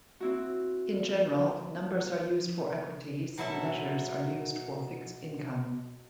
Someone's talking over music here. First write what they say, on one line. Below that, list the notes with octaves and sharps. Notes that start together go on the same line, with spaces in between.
In general, numbers are used for equities and letters are used for fixed income.
C4 E4 F#4
B2 F#3 E4 A4 E5 A5